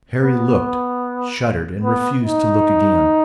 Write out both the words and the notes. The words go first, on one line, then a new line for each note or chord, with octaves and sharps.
Harry looked, shuddered and refused to look again.
B3
B3
D#4